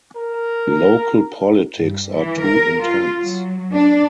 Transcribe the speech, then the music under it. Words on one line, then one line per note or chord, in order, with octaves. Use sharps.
Local politics are too intense.
A#4
G2
E3
A#4
F4
F#3
D4